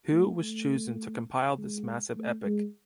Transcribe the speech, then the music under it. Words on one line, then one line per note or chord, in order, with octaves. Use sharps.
Hu was chosen to compile this massive epic.
A3
A3
G#3
A3
G#3